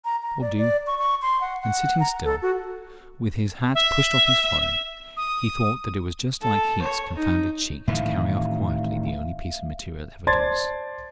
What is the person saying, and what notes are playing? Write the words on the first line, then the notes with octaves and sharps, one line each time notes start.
"That will do." And sitting still, with his hat pushed off his forehead, he thought that it was just like Heat's confounded cheek to carry off quietly the only piece of material evidence.
A#5
A#5
D5
D5
C#6
C#6
C6
F#5
F#5
A#5
A4
F#4
E5
D#6
A4
C#5
D#4
A2 D#3 E3 E5 F5
C5 D5 A5 C6 G#6 A6